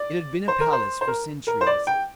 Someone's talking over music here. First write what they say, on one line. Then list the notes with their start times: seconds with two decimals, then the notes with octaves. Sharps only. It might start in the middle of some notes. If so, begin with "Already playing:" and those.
It had been a palace for centuries.
Already playing: D5
0.48 C5
0.60 A#4
0.73 C5
1.01 C5
1.07 A#4
1.47 A#4
1.61 C5
1.66 D5
1.87 G5